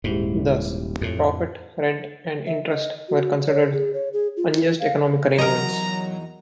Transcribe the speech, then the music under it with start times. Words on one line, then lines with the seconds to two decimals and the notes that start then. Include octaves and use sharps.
Thus, profit, rent, and interest were considered unjust economic arrangements.
0.04 D#1 G#2 G#3 E4 G4
1.01 F2 A2
2.46 E5
2.70 D#5
3.09 F#4
3.47 C#5
3.73 G#4
3.93 C#5
4.13 G#4
4.37 F4
4.55 E4
4.80 F5
5.38 E2 F#3 D#4 F#4 A#4 D#5 A#5